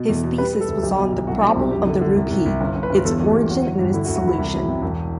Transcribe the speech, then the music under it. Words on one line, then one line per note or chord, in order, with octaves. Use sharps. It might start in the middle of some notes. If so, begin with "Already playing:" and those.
His thesis was on "The problem of the rupee: Its origin and its solution".
Already playing: B2
E2
B2
G3 B4
G3
A4
D2
B1 G4
B2
B1
C2 F#4
D4
B2
C4
C2 G4
F#2 G4
D3
D3
C2
C2
C2
G1
G1
B4
G1
E2 A4
E2
G4
E2
F#3 F#4
G1
G2
D3 E4
F#4
D2
F#4
E1 E4
C2
F#3
C3
E1